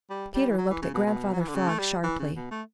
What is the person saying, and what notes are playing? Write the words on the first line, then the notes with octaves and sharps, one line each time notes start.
Peter looked at Grandfather Frog sharply.
G3
G3
E3
F#3
E3
C#3
B2
B2
F#3
E3
D3
C#3
A3
G3
E3
C#3
B2
A3